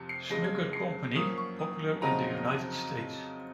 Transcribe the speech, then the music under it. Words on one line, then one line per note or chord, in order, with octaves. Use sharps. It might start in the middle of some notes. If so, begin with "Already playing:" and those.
Smucker Company popular in the United States.
Already playing: F2 C3 F3 C#7
C7
F2 C#3 G#3 A#6
G#6
C7
F#2 F3 A#3 C#4 D#6
C#6
D#6
F2 C#3 F#3 C4 D#4 A#5